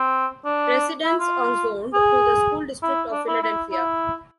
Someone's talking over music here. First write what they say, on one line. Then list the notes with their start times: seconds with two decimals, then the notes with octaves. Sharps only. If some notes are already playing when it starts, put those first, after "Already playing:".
Residents are zoned to the School District of Philadelphia.
Already playing: C4
0.45 D4
1.05 E4
1.20 F4
1.94 G#4
2.83 E4
3.12 D4
3.28 E4
3.43 E4
3.72 E4